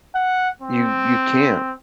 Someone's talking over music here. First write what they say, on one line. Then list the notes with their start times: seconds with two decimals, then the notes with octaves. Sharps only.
You you can't.
0.15 F#5
0.62 C4